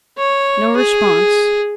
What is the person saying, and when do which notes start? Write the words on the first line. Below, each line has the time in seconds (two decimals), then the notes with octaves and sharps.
No response.
0.17 C#5
0.76 G#4